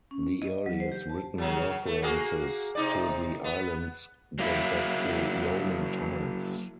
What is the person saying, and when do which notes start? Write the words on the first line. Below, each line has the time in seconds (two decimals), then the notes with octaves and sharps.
The earliest written references to the islands date back to Roman times.
0.11 C#4
0.42 D#5
0.66 F#3
0.80 C5
0.92 G4
1.10 A5
1.38 C#3 F#3
1.86 A3
2.02 A#3 F#4 G#4
2.75 C3 D#4 D5
3.44 B3
4.39 F#3 A#3 E4